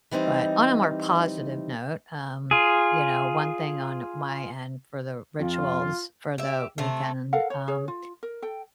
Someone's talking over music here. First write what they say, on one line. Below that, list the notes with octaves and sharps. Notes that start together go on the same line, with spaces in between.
but on a more positive note, um, you know, one thing on my end for the rituals for the weekend, um,
E3 G3 C4 D#4
F4 G#4
F2 F4
G4 E5
C3 A3
A4 A#4 F5 F#5
C#5
G#4 C#5
F4
A#4
A4 G5